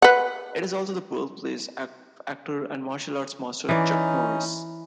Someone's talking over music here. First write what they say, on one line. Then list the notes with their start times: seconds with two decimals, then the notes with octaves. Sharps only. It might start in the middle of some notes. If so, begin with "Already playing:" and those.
It is also the birthplace of actor and martial arts master, Chuck Norris.
0.02 B4 F#5
3.69 E3 C#4 D#4 D5